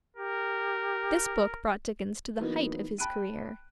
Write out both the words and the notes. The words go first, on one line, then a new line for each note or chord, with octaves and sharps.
This book brought Dickens to the height of his career.
G4 A#4
E3 F#3 A#3 B3 D#4
G5 A5 B5 F#6 D7 D#7